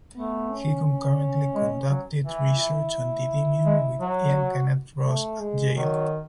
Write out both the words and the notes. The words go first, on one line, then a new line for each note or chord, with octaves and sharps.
He concurrently conducted research on "Didymium" with Ian Kenneth Ross at Yale.
A3 B3
C#4
C#4
G#3
F#3
E3 E4
E4
G#3
F#3
F#4
A3
G#3
D#3 F#3